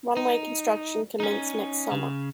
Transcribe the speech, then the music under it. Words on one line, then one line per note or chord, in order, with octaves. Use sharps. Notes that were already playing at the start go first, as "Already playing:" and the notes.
Runway construction commenced next summer.
D#4
C#4 D#4
C#3